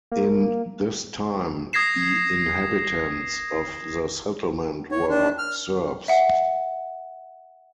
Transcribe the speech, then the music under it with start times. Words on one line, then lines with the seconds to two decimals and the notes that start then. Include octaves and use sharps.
In this time, the inhabitants of the settlement were Serbs.
0.12 A#3
1.73 D#6 G#6 A#6 C7 E7
4.91 C#5
5.09 D4
5.38 F6
6.08 E5 F#5